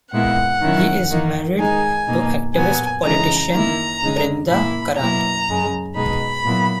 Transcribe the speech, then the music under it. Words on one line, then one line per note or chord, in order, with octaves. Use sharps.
He is married to activist-politician Brinda Karat.
A#2 G#3 B3 E4 F#5
D#3 F#3 C#4 E4
D#3 A#3 D#4
D#3 G#3 D#4 G#5
B2 A#3 D#4
A#2 F#3 B3 G#5
C#3 E3 G#3 D#4 A#5
D#3 A#3 E4 A#5
C#3 G#3 D#4
A#2 A#3 E4 B5
B2 F#3 A#3 E4 A#5
F#2 C#3 G#3
B2 G#3 D#4 B5
A#2 F#3 B3 E4